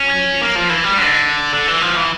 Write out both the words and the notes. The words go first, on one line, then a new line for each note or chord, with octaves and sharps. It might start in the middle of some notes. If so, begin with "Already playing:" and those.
when you can see your kids, you know?
Already playing: C#4
A#3
F3
E3
G3
D3
D3
E3
F3
E3